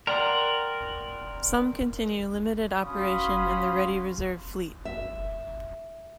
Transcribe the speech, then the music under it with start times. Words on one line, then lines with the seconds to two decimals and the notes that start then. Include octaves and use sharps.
Some continue limited operation in the Ready Reserve Fleet.
0.07 A#4 D5 F#5 G5 C6
2.78 C#4 F#4 F5 B5 C6 D#6
4.85 E5